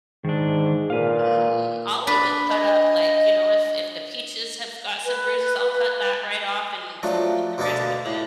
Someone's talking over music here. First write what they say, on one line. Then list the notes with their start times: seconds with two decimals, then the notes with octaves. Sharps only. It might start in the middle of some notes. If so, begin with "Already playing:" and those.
um I'll even cut up, like, y'know, if if the peaches have got some bruises, I'll cut that right off and f eat the rest of it.
0.24 G#2 D#3 D4
0.90 A#2 B4 F5
2.07 D4 B4
2.49 D#5
5.05 B4
7.03 F3 F#3 A3 D4
7.58 D2 B2 A#3 B3 A4 D6
8.06 A2